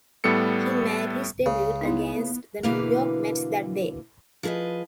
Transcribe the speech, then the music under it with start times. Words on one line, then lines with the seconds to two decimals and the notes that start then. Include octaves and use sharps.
He made his debut against the New York Mets that day.
0.24 A2 G3 B3 A4 C#7
1.46 C#2 C#3
1.81 B3 D#4 E4
2.63 B2 D3 E3 A#3 B4 F5
4.43 F3 G#4 A4 B4 D#5